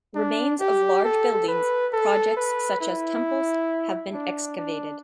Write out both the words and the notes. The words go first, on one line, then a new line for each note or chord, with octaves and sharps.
Remains of large buildings projects, such as temples, have been excavated.
D4
G4
A4
B4
A4
B4
E4
D4
D4